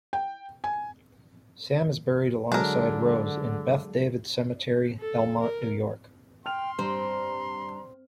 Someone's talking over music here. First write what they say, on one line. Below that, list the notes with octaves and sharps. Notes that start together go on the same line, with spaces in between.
Sam is buried alongside Rose in Beth David Cemetery, Elmont, New York.
G5
G#5
D3 F#3 G#3 D4 G#4 A#4
A4
A#4
G5 C6 F6 F7
G2 C4 A#5